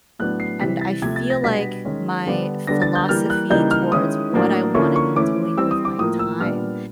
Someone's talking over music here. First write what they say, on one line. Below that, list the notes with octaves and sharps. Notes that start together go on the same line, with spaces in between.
and I feel like my philosophy towards what I wanna be doing with my time
A2 F#3 B3 D4 F#6
C7
C3 E3 G3 C4 B6
A6
C3 F3 A3 G#6
A6
A#6
B2 G3 B3 D4 B6
D#3 G#3 C#4
D3 G3 B3 D4
D3 G3 B3 D4 A#6
A6
G6
E3 G3 A#3 F6
F#6
C#3 E3 G3 A#3 D#4 G6
F6
D#3 G#3 C#4 E4 D#6
A2 F#3 A#3 D4
D3 F3 A#3 C#4 E4 C#6
C#6
E3 A3 C#4 E4 D6
E3 G3 C4 E6
D#6
D6
A2 F3 A#3 D#6
E6
A#2 G3 B3 D4 F6